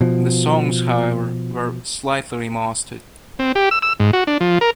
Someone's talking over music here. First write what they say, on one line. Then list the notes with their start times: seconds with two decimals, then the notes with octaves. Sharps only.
The songs, however, were slightly remastered.
0.01 B2 F3
3.39 C4
3.55 G4
3.71 E6
3.82 E6
4.00 G#2
4.13 F#4
4.27 D4
4.40 F3
4.61 A#4